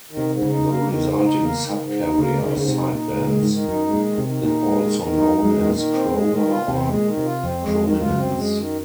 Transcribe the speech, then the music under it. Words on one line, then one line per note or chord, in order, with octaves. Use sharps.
The resulting subcarrier sidebands is also known as "chroma" or "chrominance".
D#3
C3
G#2
C#3
D#4
A#3
D#3
G#2
D#4
A#3
D#3
G#2
D#4
C#3 A#3
D#3
C#3
G#2 C#3
C3
D#4
A#2 D#4
G#3
A#2
D#3
G#2
D#3
F#2 D#4
G#3
A#2
D#3
C3
D#3
A#2 D#4
G#3
D#3
D#3
F#2 D#4
G#3
F#2
D#3
A#2
D#3
C4
G#3
D#3
F4
C3 C4
G#3
A#2
D#3
C3
F4
F2 C4
G#3
F2
D#3
F#2
G#2 F4
F#2
C4
G#3
D#3